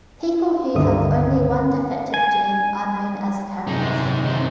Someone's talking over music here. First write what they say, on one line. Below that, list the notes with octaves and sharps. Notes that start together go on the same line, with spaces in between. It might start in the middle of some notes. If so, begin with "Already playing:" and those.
People who have only one defective gene are known as carriers.
C#2 G2 D3 D#3 E5 D#6
G#5
F#2 C3 G#3 D#4
D#3 C5